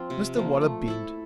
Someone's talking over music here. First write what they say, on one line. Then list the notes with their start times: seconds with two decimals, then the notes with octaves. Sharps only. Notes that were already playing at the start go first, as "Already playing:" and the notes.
Mr Waller beamed.
Already playing: F3 C4 F4
0.10 C3
0.36 F3 A#3
0.61 A3
0.88 E4 A4